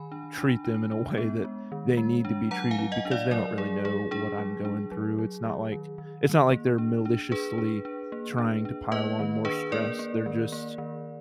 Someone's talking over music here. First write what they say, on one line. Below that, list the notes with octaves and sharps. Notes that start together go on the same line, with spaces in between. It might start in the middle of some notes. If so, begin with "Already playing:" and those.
treat them in a way that they need to be treated because they don't really know what I'm going through. It's not like it's not like they're maliciously trying to pile on more stress. They're just
Already playing: D#3 G#5 B5
D4
D4
D4
D4
B3
G#3
D#3
G#3
D4
F#3 F#5 A#5
F5 G#5
F#3
D#5 F#5
D4
D5 F5
F#3 A#4 D5
F#3 G#4
F#3 G#4
D4 G#4
F#3
D4
F#3
F#3
F#3
D#3
D#3
D#3
A#3
D4
D4
D4 G#4 B4
D4
D4
A#3
D4
D4
A#3 B4 D#5
D#3
D4 G#4 B4
A#3 A#4 D5
A#3
D#3
A#3
D#3